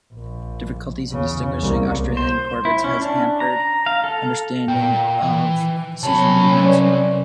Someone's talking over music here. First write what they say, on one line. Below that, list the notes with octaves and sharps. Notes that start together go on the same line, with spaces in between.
Difficulties in distinguishing Australian corvids has hampered understanding of seasonal movements.
A#1
E2 C#3
C2 A#3
C5
E4
C#4
D4
A#5
F5
A4
A#2 G5
E3
C2 F#3 C#4 A5 B5
B4 C#5 D5